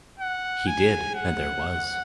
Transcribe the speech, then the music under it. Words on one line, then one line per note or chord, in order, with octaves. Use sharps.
He did, and there was.
F#5
G#5
F#5